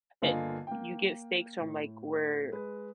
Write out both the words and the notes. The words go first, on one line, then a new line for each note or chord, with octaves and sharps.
it you get steaks from, like, where
G1 D3 A#3 F4 D#5 G#5
A#3 G5
A2
G#3 B4